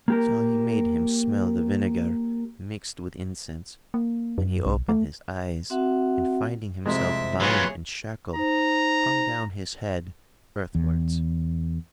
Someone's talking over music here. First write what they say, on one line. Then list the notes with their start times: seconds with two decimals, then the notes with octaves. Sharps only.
So he made him smell the vinegar mixed with incense, and he opened his eyes and, finding himself bound and shackled, hung down his head earth wards.
0.08 A#3 G4 A#4
3.94 A#3
4.38 F#2
4.66 B1
4.89 A3
5.70 C4 F#4 E5 F#5
6.86 C2 F2 G#3 C4 E5
7.40 A#2 F#3 G#4 B4 C#5 C6
8.36 D#4 C5 A#5
10.75 E2